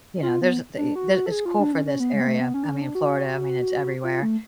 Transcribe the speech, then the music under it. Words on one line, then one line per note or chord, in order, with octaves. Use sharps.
you know, there's the the It's cool for this area. I mean, Florida, I mean, it's everywhere.
F4
B3
D4
F#4
F#4
A4
G#4
F4
D4
C#4
C#4
B3
G#3
B3
A3
B3
C#4
D4
C#4
D4
F#4
F4
A3